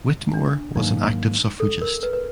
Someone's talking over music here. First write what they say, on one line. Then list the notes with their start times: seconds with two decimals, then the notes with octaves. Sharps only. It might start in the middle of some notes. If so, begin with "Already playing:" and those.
Whittemore was an active suffragist.
0.34 D4
0.76 G#2 D#3 F#3 A#3 D#4
1.60 A4
1.82 A#4
2.03 B4
2.13 B4